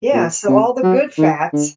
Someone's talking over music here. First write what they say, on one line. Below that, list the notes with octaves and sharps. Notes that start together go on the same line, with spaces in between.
Yeah. So, all the good fats
A#2
C3
F#3
D#3
D3